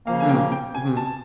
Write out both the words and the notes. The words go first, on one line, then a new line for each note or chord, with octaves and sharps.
Mm, mhm.
C#3 F3 A#3 F5
G#5
G5
G5
G#5
A5